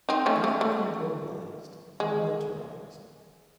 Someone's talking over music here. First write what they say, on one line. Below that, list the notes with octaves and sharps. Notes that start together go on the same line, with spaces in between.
Life became ruralized and militarized.
C4 D#4
A3 C#4
A3
A3
G#3